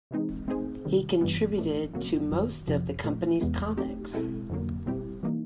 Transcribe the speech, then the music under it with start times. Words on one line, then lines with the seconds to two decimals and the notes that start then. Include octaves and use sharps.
He contributed to most of the company's comics.
0.11 C3 E3 G#3 C4 D#4
0.48 A3 C4 D#4 G#4 C5
0.85 C3 D#3 G3
1.21 G2 E3 G3 B3
1.58 A2 E3 A3 D4
1.94 F2 C#3 F#3 A#3
2.31 F#2 D#3 F#3
2.67 F2 C3 F3
3.04 A#2 F3 A3
3.41 E2 C3 E3 G#3 B3
3.77 F#3 A3 C4 D#4 G4
4.13 B2 G#3 C4 E4 A4
4.50 F2 D3 F#3 A#3
4.86 B2 G3 C4 E4 G4
5.23 E3 G3 A#3 D#4